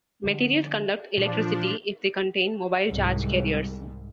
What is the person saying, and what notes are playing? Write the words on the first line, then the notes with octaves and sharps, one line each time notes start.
Materials conduct electricity if they contain mobile charge carriers.
D3 F3 G#3
A#2 E3 F3 D4
C2 G#2